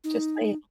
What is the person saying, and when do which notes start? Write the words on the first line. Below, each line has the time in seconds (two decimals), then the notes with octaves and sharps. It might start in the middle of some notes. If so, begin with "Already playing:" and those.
just saying
0.04 D#4